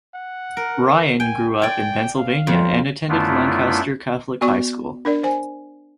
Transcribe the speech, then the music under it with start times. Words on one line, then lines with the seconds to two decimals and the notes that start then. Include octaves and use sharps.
Ryan grew up in Pennsylvania and attended Lancaster Catholic High School.
0.14 F#5
0.57 A#4
1.20 G5 G#5
1.62 D5 G5 G#5
2.17 F5
2.47 F2
3.09 F#2 A3 B3 D4 E4 F4
4.41 B3 F#4 D5 C#6
5.05 D4 A#4 D5
5.23 C5 G#5